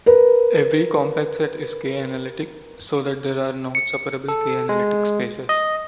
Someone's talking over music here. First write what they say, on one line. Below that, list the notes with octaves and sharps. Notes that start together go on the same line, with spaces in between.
Every compact set is K-analytic so that there are non-separable K-analytic spaces.
A#4 B4
C#7
A4
G#3
D#5